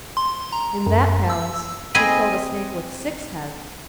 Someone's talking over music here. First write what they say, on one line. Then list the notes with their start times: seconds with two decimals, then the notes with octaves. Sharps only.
In that palace he killed a snake with six heads.
0.17 C6
0.52 A#5
0.87 F#2
1.30 E6
1.95 C4 G#4 D#5 G#5 B5